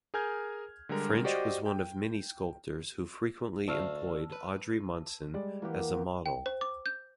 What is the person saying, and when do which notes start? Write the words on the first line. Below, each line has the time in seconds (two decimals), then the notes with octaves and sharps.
French was one of many sculptors who frequently employed Audrey Munson as a model.
0.14 G#4 A#4 G#5 F6 G6 G#6
0.89 D3 G3 G#3 A#4
1.24 F#4 G4 C5 D5 D#5
1.66 G5
3.68 D2 A3 F5 A5 E6 F6
4.32 B4
5.34 G3 G#3 D5
5.62 E3 A#3 F#4 G4
6.26 G5
6.46 C5
6.61 D6
6.86 G6